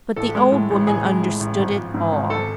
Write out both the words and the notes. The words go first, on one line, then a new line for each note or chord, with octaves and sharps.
But the old woman understood it all.
A1 A4
G#3
A2
A1
A1 G#4
G#3
A2
A1
G#1
F3
G#2
G#1
G#1 A4